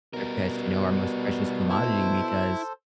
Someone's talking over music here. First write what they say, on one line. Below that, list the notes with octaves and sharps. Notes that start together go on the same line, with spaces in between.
their pets, you know, our most precious commodity because,
B2 G3 A#4
E4 A4 C5